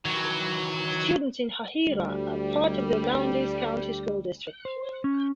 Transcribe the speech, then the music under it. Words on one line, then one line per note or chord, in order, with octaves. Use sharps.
Students in Hahira are part of the Lowndes County School District.
D#3 E3 F#3
D2 G3
C5
C#4